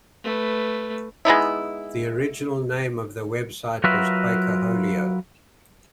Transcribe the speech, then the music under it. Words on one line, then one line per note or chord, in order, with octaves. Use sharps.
The original name of the website was Quakeholio.
A3 B4
G#3 B3 D#4 E4
F#3 F4 F#4 A#4 B4 E5